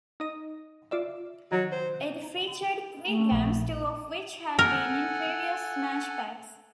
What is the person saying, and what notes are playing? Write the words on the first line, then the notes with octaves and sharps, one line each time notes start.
It featured three games, two of which had been in previous Smash Packs.
D#4 D#5
F4 D5 E5
D#3 F#3
C5
A3
A#1
A4 A#4 F#5 G#5